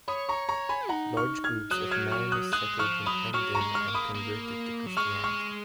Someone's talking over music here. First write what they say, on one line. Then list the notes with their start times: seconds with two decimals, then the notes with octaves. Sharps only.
Large groups of Marranos settled in Emden and converted to Christianity.
0.08 C#5 B5 D#6
0.29 A#5 C#6
0.49 A#5 C#6
0.69 G#5 B5
0.89 D#4 F#5 A#5
1.17 C#6 F6
1.44 F6 G#6
1.71 F#3 D#6 F#6
1.91 F6 G#6
2.12 C#6 F6
2.32 D#6 F#6
2.52 G#3 D#6 F#6
2.79 F3 C#6 F6
3.06 F#3 B5 D#6
3.34 F#3 C#6 F6
3.55 A#5 C#6
3.61 G#3
3.74 C#6 F6
3.88 A#3
3.95 B5 D#6
4.15 A#3
4.86 F#3
4.97 G#3 C#6 F6
5.24 C#6 F6